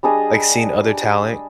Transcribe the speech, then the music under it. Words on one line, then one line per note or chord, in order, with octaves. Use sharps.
like, seeing other talent,
G3 D4 G#4 D#5